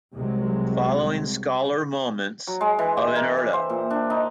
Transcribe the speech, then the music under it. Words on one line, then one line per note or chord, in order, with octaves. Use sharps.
Following are scalar moments of inertia.
C2 C3 F#3 G#3
F#3
G#3
E3
G4
A#4
E5
C5
A#2
D4
D#4